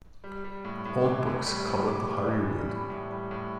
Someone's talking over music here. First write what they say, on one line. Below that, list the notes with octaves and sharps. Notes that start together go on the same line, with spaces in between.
Old books call it the Hari Rud.
G3
G3
A2
A2
C6
E3 D6
A2
G3
A2
A2 D6
G3
E3
G3
A2 B5
A2
G3
A2